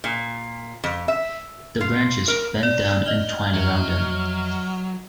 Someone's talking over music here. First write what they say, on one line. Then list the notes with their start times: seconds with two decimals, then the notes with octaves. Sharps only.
The branches bent down and twined around him.
0.04 A#2
0.84 F2
1.08 E5
1.81 F4
2.28 A#4
2.63 D5
3.06 D#5 F6 G7
3.53 F2 F3 F#3 E5